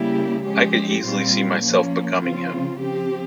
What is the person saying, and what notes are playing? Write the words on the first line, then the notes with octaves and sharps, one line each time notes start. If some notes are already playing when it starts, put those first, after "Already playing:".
I could easily see myself becoming him.
Already playing: C#3 G3 A#3 E4 G4
F3 G#3 C#4 G4
A#2 G3 C4 F4
F3 A#3 C#4
C#3 F3 C4 F4
F3 C4 G4